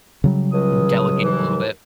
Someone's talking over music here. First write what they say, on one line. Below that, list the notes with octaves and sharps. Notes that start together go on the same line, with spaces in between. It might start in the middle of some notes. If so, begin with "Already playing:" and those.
Delegate a little bit.
C#3 F#3 G3
C#2 D#6
D#2 E3